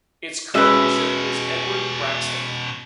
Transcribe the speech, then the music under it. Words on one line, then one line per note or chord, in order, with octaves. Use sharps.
Its current bishop is Edward Braxton.
B2 E3 G#3 C#4 F#4 B4 E5 B6